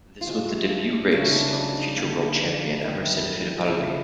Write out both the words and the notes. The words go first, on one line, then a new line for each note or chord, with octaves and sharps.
This was the debut race of the future world champion Emerson Fittipaldi.
F4
C3 F3 G#3 F#4
C#3 F#3 A3 F#4
D4 D#4
D4
D#4
D3 G3 A#3
C3 D#3 G3 B3
C#3 F3 A3 E4